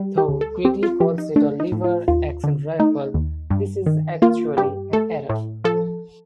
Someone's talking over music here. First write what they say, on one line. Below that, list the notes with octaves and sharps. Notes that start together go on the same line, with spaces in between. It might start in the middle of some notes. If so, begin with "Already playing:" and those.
Though Quigley calls it a lever-action rifle, this is actually an error.
Already playing: G3
G4
D2
A4
C4 G4
F4
F3 G4
D#4
A3 D4
D#4
A2
F4
D#2 F4
D3
A3 D#4
D#2
G2
D#3
A#3 F4
G2 G4
A3 A4
A2
F3 A4